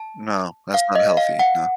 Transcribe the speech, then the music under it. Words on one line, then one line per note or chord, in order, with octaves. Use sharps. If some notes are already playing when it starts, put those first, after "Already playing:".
No, that's not healthy, no.
Already playing: A5
F5
D#5
F5
F#5